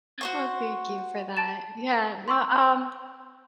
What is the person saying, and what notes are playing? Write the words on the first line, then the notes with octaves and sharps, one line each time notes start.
Well, thank you for that. Yeah, no, um
F#4 C5 C#6
A5 A6 E7
C6 C#6 E6